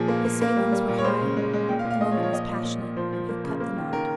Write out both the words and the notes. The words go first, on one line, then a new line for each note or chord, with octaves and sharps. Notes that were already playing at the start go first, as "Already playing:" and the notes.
His feelings were high, the moment was passionate, and he cut the knot.
Already playing: A#2 F3 G#4
A#3
A#3
A#3
G3
G3
A#2
C#5
G#3 C5
C#3
G#3
G#3
A#2 G5
F5
A#2
F5
G#3 D#5
C#5
F3
C#5
A#2 D#5
A#2
A#2
A#2
F3 C5
F3
A#3
C#3
A#3
D#3
D#3 A#4